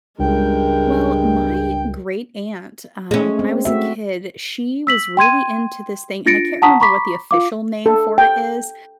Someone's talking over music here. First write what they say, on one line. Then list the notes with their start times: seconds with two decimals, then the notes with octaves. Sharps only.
Well, my great aunt, um, when I was a kid, she was really into this thing, and I can't remember what the official name for it is,
0.19 C#2 G2 G#3 A#4 G5
3.11 G#3 A3 C#4
3.39 C4
3.65 A3 F#4 E5
4.87 E6 B6 F#7
5.17 G5 C6 G#6 D#7
6.26 D4 F4 A6 A#6 C#7 D7
6.62 F#5 A5 A#5 C#6 D#6 B6
6.80 A#5 B5 C#6 D6 B6
7.31 F4 F5 D6
7.86 A4
8.18 G5